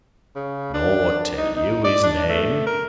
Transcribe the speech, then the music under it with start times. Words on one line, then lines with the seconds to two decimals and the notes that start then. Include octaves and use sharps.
"Nor tell you his name?"
0.35 C#3
0.74 D4
1.37 D#4
1.56 D#4
1.84 D5
2.03 D4
2.29 A3
2.67 A#4